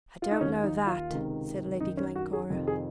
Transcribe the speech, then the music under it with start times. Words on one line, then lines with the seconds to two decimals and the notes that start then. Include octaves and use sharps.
"I don't know that," said Lady Glencora.
0.22 F4
0.31 D#4
0.41 D#2 D#3 C#4
0.64 D#4
0.87 F4
1.10 C#2 C3 D#3
1.80 F#2 D#4
1.84 D#3
1.97 C#4
2.16 F#4
2.33 G#4
2.50 F2 C3 D#3
2.67 G#4